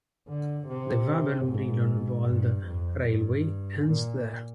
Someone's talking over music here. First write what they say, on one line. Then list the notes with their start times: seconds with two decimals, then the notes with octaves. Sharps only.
The Wabern–Brilon Wald railway ends there.
0.29 D3
0.68 C3
1.48 G#2
2.27 G2
2.67 F2
3.07 G2
3.87 A#2